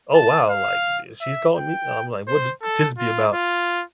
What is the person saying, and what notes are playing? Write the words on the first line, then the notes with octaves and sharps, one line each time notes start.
"Oh, wow." like, uh, "She's calling me?" and I'm like, "What th this be about?"
A5
F5
E5
G5
C5
A4
F4
F4